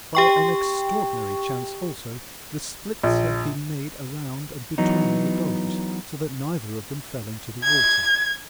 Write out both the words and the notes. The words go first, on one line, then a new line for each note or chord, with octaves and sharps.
By an extraordinary chance also, the splits had been made around and between the dogs, so that neither of them fell into the water.
G4 G5 C#6
A#1
E3 F#3 B3 D#4
G#6